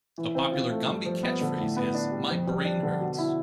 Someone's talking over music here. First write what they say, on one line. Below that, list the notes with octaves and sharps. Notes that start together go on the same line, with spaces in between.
A popular Gumby catchphrase is My brain hurts!
E3
C4
F4
A3
G2
F3
B3
D3
A2
B3
D4
G3
F2
G3
D4
D3
B2
E4